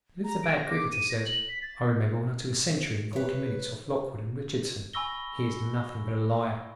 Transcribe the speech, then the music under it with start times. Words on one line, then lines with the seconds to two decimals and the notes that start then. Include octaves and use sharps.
But if the bad cricketer says, "I remember when I took a century in forty minutes off Lockwood and Richardson," he is nothing but a liar.
0.24 A#5
0.43 D7
0.55 A#6
0.70 D6
0.92 D#7
1.10 A#6
1.26 F#7
1.49 B6
1.62 A6
3.13 B4 C#5
4.93 G#5 B5 C#6 E6 A#6 G7